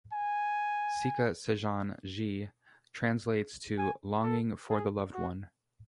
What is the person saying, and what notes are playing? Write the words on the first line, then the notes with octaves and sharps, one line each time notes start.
Sika Sajan Jee translates to ‘"Longing for the Loved One"’.
G#5
G#5
A4
G#4
F#4